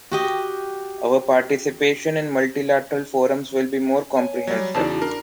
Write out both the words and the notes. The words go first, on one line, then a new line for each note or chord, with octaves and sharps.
Our participation in multilateral forums will be more comprehensive.
F#4 G4 D#5
C#5 G#5
F#3 G3
E2 C#3 D#4 E4 F#4 D5 A5
D4 A#4 A#5 B5